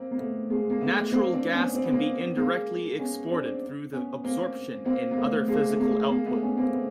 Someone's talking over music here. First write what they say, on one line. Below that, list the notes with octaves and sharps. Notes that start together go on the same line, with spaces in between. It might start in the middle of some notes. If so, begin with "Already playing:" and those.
Natural gas can be indirectly exported through the absorption in other physical output.
Already playing: A#3 C4
A#3
A3 B3
G#3 A#3
A#3
A3 B3
A#3 C4
C4 D4
B3 C#4
C4
B3
A#3 C4
G#3 A#3
B3 C#4
C4 D4
B3 C#4
A#3 C4
A#3 C4
A#3
A3 B3
G#3 A#3
A3
G#3 A#3
G#3 A#3
A3 B3
B3 C#4
A#3 C4
A3 B3